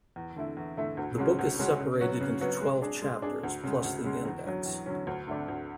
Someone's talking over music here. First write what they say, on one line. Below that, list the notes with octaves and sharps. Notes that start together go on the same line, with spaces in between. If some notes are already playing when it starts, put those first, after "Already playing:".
The book is separated into twelve chapters, plus the index.
E2
D3 A3 E4
E2
D3 A3 E4
D2
C#3 G#3 C#4 F#4
D2
C#3 G#3 C#4 F#4
C#3
F#3 B3 F#4 C#5
C#3
F#3 B3 F#4 C#5
G#3
D4 G#4
G#3
D4 G#4
D2
C#3 G#3
D2
C#3 G#3
E2
D3 F#3 C#4
E2
D3 F#3 C#4
D2
D3 A3 D4
D2